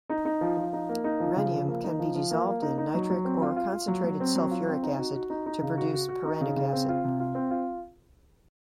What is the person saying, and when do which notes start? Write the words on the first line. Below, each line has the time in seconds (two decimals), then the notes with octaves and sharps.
Rhenium can be dissolved in nitric or concentrated sulfuric acid to produce perrhenic acid.
0.09 D#4
0.25 D#4
0.41 F3
0.57 F3
0.73 D#4
0.89 A#3
1.04 D#4
1.20 F3
1.36 C#3
1.51 F3
1.68 A#3
1.84 D#4
1.99 F3
2.15 F3
2.30 A#3
2.47 A#3
2.62 D#4
2.78 D#4
2.94 F#3
3.10 F#3
3.25 C4
3.42 F4
3.56 F4
3.72 F4
3.88 F#3
4.04 F#3
4.20 C4
4.35 F#3
4.51 F4
4.67 C4
4.83 D#4
4.98 F#4
5.15 F#4
5.30 D#4
5.46 D#4
5.62 C#3
5.77 F#4
5.93 F#4
6.09 F#4
6.25 D#4
6.41 C#3
6.56 C#3
6.73 C4
6.89 F4
7.04 C3
7.20 F4
7.35 C4
7.51 F4